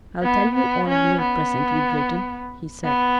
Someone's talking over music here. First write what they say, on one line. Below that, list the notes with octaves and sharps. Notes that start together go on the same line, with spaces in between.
"I'll tell you all I know, presently, Breton," he said.
B3
B3
C#4
B3
B3